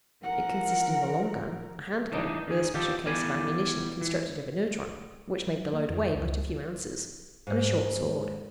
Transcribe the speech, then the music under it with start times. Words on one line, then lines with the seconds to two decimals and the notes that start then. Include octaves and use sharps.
It consisted of a long-gun, a hand-gun, with a special case of ammunition constructed of inertron, which made the load weigh but a few ounces, and a short sword.
0.24 F3 A#4 F#5
2.12 E3 D4 D#4
2.47 D#3 G#4
2.74 F4 G4 A4
3.06 E3 G3 B3 D5 G#5
4.01 E3
5.47 F#3
5.73 A#3
5.89 F2
6.15 C#2
7.47 G#2